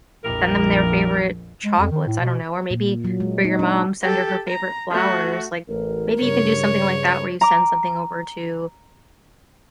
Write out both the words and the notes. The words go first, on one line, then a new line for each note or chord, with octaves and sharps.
send them their favorite chocolates, I don't know. Or maybe for your mom, send her her favorite flowers, like, maybe you can do something like that where you send something over to
A#1 F2 E4 G4 A#4
G#3
F2
D#3
A2
B2
A#2
F#3
G#3
D#4
D4
G4 A4
A#5
A3 F#4
A1 A#4
G2 C#3 C#5
A#5 D6